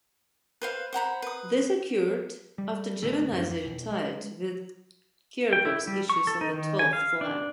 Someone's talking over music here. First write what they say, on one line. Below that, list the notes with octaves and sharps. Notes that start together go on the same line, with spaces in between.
This occurred after Giovinazzi retired with gearbox issues on the twelfth lap.
B4 C5 F5
C5 F#5 A#5 B5
B4 D#6
G3
A1 D3 A3
F#2 D4
F2
B1
G#3
G5
E4
G3
C#6
A4
D#4
D#3
G#5
F5
D4